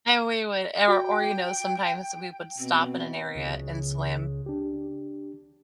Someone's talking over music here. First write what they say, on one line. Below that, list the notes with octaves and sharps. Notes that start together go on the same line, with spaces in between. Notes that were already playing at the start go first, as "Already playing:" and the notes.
And we would or or, you know, sometimes we would stop in an area and swim.
F#4 G5
B2 C4
C#2
D4 G4